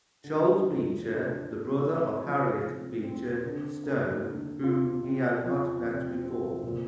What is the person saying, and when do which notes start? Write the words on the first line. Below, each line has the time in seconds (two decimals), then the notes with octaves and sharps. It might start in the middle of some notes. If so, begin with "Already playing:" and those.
Charles Beecher, the brother of Harriet Beecher Stowe whom he had not met before.
0.24 D3
0.64 F3
1.04 D4
1.44 A#3
1.84 C3
2.24 F3
2.64 C3
3.04 C4
3.44 D3
3.84 A#3
4.24 D3
4.64 F4
5.03 C3
5.44 F3
5.83 C3
6.24 C4
6.63 A#2